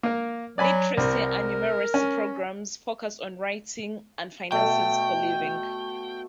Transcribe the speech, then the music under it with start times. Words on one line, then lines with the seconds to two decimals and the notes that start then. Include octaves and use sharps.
Literacy and Numeracy programs focus on writing and finances for living.
0.03 A#3 A#4
0.58 F#3 D5 G#5 B5
0.97 C2 C4 A#4
1.94 C#4
4.52 B2 A3 G5